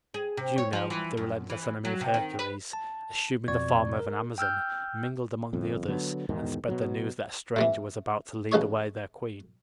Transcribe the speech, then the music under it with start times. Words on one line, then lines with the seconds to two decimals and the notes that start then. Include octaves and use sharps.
But Juno, the relentless enemy of Hercules, assuming the form of an Amazon, mingled among the others and spread the news that a stranger was about to lead away their queen.
0.14 G#4
0.37 C3
0.58 C#5
0.73 F3
0.90 E3
1.17 F#2
1.50 E3
1.85 F#3
2.01 C3
2.14 D#3
2.39 B4
2.73 A5
3.48 F2 B2 D5 C#6 G#6
3.99 A#4
4.38 G5 E6 F6 G6
5.53 G1 F2
5.88 D3 F#3 B3
6.29 E2 G#2 B2 D#3
6.68 B2 F#3
7.56 A2 C3 E3
8.52 A1 C#3 G#3 C#5 C#6